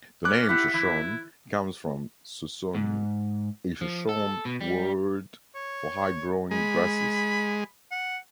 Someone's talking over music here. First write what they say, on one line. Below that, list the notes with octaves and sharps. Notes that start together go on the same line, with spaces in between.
The name "Shoshone" comes from "Sosoni", a Shoshone word for high-growing grasses.
C#4 B4 D6 F#6
E4 G4 F#5 B6
E3 E4
G#2
F3
A4
B2
G3
C#5
G#3 B5
F#5